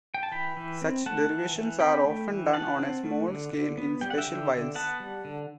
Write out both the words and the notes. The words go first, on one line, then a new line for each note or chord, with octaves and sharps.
Such derivatizations are often done on a small scale in special vials.
G5
A5
E3 G5 B5
E3
C4
A3 F#5 A5
E3
E3
C4 G5 B5
A3
E3
E3 F#5 A5
C4
A3
D3
D3
B3
G3 G5
F#5
E5 G5
D3
D3
B3 F#5 A5
G3
D3